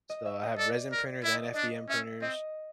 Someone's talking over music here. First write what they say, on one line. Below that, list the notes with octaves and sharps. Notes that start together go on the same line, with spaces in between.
So, I have resin printers and FDM printers.
D#5
E5
D#5
A4 D5
A#4
E4 E5
D#5
D5
D4 D#5
C#4 E5
C4 D#5